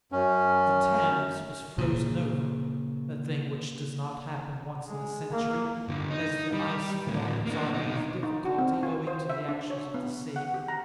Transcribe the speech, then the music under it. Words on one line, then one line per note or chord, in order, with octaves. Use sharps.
The Thames was frozen over--a thing which does not happen once in a century, as the ice forms on it with difficulty owing to the action of the sea.
F#2 C#4
A#2 C#3
G#3
A#3
G2 D3
D#4
G3
D2 A2
A#3 D4
B2 D#4
D#4
F#4
C4
F4
C5
E5
D4
C#5
B3
F#5
G4
A#5